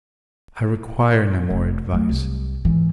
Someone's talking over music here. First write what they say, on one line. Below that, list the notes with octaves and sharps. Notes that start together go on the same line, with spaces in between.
"I require no more advice."
F1
F#3 A3
C2
G#2 E3